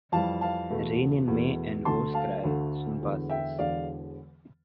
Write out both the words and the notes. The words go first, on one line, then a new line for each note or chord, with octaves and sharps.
Rain in May and whore’s cry, soon passes.
F2 E3 G3 F5 A5
F5 A5
E2 B2 A3
E2 B2 A3
D2 D3 A3 A5 C6
F5 A5
D2 D3 A3
E1 E2 D3
E5 G5
E1 E2 D3 D5 F5